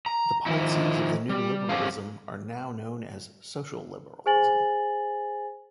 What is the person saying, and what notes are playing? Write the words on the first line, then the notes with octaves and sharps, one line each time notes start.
The policies of the New Liberalism are now known as social liberalism.
A#5
D#3 F3 D#4 E4
G3
C4 C#4 G4 A4 C5 F5
G#4 C5 G#5 A6 F#7